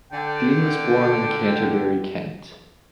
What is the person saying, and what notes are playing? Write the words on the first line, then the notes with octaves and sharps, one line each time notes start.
Dean was born in Canterbury, Kent.
D3 G5